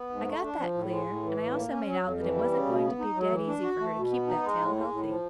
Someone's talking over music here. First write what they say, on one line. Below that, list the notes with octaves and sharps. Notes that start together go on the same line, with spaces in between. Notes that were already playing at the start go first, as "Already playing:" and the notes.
'I got that clear, and I also made out that it wasn't going to be dead easy for her to keep that tail healthy.
Already playing: B3
G#2
A3
D4
F3
A2
G#3
A2
E3
A2
A#3
C#4
F#3
F2
E3
G3
C#3
B2
B3
D#4
F#3
E3
D4
F#4
A3
B2
B3
D#4
G#3
A2
G#3
A2
F3